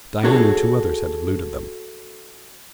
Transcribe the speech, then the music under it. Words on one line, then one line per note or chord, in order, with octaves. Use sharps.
Dian and two others had eluded them.
F#4 G#4 A4 C#5